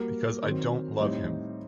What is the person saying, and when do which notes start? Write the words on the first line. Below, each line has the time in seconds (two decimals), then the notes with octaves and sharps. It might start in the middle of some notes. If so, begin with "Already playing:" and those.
Because I don't love him.
Already playing: G3 A#3 F#4 A#4
0.43 D#3 F#3 C4
1.00 A2 G3 C4 D#4 G4